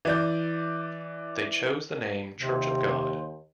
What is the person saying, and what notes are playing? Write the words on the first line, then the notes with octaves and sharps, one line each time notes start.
They chose the name Church of God.
E3 D5 G6
D#2 C3 C5